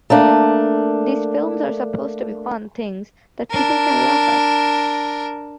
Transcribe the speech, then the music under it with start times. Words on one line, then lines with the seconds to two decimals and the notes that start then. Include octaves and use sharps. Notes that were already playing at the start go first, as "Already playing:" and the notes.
These films are supposed to be fun things that people can laugh at.
0.10 A3 A#3 D4
3.50 D4 A#4